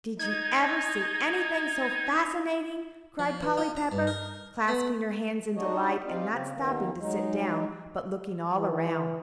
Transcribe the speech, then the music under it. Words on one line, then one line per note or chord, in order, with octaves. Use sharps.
"Did you ever see anything so fascinating?" cried Polly Pepper, clasping her hands in delight, and not stopping to sit down, but looking all around.
D#4 G#6
F3
E3
F4
A#5
G2
A#4
B3
D4 D#4 F#4 C#5 D#5
C4 D#4 F4 G4 D5 F5
C#3 C4
D#2 D#3 A#3 B3
F#3 G#3 D#4
E3